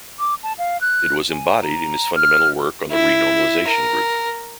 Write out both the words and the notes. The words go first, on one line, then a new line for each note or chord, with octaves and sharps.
It was embodied in his fundamental work on the renormalization group.
D6
A5
F5
F#6
G#5
A#5
F6
E4
A#4